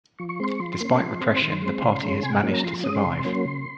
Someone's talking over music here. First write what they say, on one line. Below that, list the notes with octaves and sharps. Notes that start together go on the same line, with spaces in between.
Despite repression, the party has managed to survive.
F3 C#6
C#6
G#3 C4 C6
C#6
F3 C6
A#3 C#4
F3
C4
D#3
G#3 C4
C#3
G#3 C#4
C3 G#5
F#5
F#3 A#3 C#4
A#5
F3 C6
G#3 C#4 D#6
C6
C3
F#3 A#3 C#4
C#3